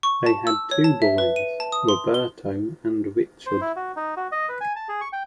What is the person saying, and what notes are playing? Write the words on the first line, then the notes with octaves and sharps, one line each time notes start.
They had two boys, Roberto and Richard.
C#6
A5
E6
C#5
A5
E5
B4
D#7
A5
D#6
C6
G7
C5
E4
F#4
D#4
F#4
D#5
B4
G#5
A5
G#4
C#6
G5